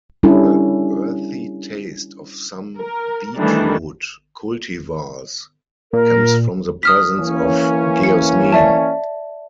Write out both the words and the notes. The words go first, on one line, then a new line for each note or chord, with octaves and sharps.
The "earthy" taste of some beetroot cultivars comes from the presence of geosmin.
G3 C#4 D4 E4 A4
A#4
D#3 E3 G3 A3 D4
A#2 A#4
D#6 F6 B6
E3 A#3 C#4
C#7
D5 E5 A5